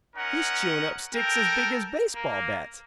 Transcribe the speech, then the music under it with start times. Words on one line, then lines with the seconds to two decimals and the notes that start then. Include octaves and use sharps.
He's chewin' up sticks as big as baseball bats!
0.16 C#4 D#4 A#4 F#5
1.15 A4 A#4 G5
2.15 A#3 A#4